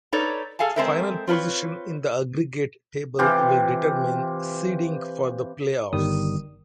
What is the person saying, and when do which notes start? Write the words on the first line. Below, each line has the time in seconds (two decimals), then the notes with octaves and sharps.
Final position in the aggregate table will determine seeding for the playoffs.
0.13 D#4 A4 B4 C#5 D5
0.59 G#4 A4 F5 G#5 A5
0.76 G#3 C4 A4 A#4 C5 E5
1.27 C4 F4 B4 C#5
3.19 C3 E3 F4 G4
5.93 G1 D#3 G3 D#6